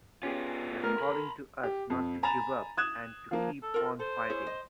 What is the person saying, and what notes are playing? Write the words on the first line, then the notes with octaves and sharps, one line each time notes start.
They're calling to us not to give up and to keep on fighting!
B3 C#4 F4 G4 G#4
A3 A#4
A4 B5 C6
G4
F2
G#5 A#5 B5 A6 E7 F7
D#6 F#6 G#6 E7
F3 A#3
A4
F4 A#4
A4 C5
E4 G#4 C#5
D#5